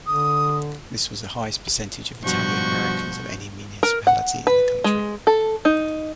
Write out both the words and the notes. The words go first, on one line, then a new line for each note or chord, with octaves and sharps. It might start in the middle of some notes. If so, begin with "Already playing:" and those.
This was the highest percentage of Italian Americans of any municipality in the country.
D3 D#6
G2 B2 F3 F#4 C#6 G6
A#4
F#5
B4
G#3
A4
D#4